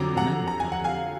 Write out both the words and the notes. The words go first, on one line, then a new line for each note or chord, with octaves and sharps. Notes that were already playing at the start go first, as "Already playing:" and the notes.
The men were coming!
Already playing: F2 D3 F#3 A#5 D6
F#5 A#5
A#5
G#5
F#5
F5 G#5